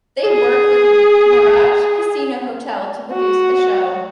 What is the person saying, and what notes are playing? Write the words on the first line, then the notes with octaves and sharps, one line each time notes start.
They worked with Mirage Casino-Hotel to produce a show.
G#4
F#4